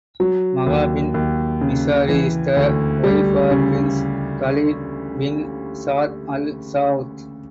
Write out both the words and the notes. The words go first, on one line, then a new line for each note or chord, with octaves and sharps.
Maha bint Mishari is the wife of Prince Khaled bin Saad Al Saud.
F#3
D#2
D#2
C#3
E3
D2
G3
C#3